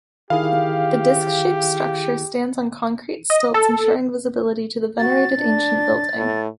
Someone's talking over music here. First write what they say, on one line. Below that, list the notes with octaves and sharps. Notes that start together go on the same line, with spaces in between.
The disk-shaped structure stands on concrete stilts, ensuring visibility to the venerated ancient building.
D#3 E4 G4 G#4 F5
D#5
A4
F#4 A6
D4
A2